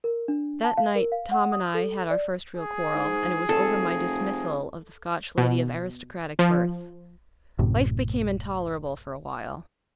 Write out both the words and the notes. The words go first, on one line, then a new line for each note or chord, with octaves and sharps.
That night Tom and I had our first real quarrel, and it was over my dismissal of the Scotch lady of aristocratic birth. Life became intolerable for a while.
A#4
D4
A5
F5
A#4
F5
F#5
D#6
A4
D5
G#4
G#2
F1 A4
B2
F3
A1 F#2 A2 C3